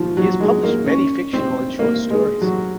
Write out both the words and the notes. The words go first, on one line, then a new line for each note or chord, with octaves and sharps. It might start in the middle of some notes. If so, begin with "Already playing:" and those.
He has published many fictional and short stories.
Already playing: D#3 F3
F#3
G#3
A#3
C#4
C4
A#3
G#3
F#3